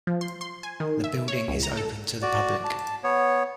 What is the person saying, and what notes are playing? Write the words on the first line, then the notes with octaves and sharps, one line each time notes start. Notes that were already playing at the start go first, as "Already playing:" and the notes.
The building is open to the public.
F3
C6
C6
G#5
D#3
E5
C#5
C#2
A#5
A4
F#4 D5
A5
B3 C#5